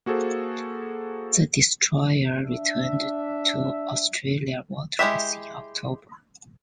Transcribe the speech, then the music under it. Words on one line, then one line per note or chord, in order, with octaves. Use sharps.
The destroyer returned to Australian waters in October.
A#3 F#4 G#4 A4 C5
D4 E5
G#3 E4 G4 E5